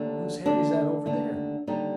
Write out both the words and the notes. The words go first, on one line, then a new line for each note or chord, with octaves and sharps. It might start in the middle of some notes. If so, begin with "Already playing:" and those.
"Whose head is that over there?"
Already playing: D#2 D3 A3
D#2 D3 A3 D4
D#2 D3 A3
D#2 D3 G3 D#4